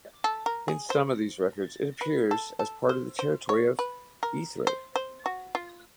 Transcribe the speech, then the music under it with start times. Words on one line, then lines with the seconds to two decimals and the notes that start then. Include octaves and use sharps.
In some of these records it appears as part of the territory of Erythrae.
0.24 A4
0.46 A#4
0.68 G#4
0.90 C5
2.01 B4
2.31 A4
2.59 A4
2.89 C5
3.19 C5
3.49 C#5
3.79 B4
4.23 A#4
4.67 C5
4.96 C5
5.26 F#4
5.55 F4